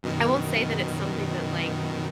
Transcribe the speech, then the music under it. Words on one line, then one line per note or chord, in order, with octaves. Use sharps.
I won't say that it's something that, like,
F#2 B2 D#3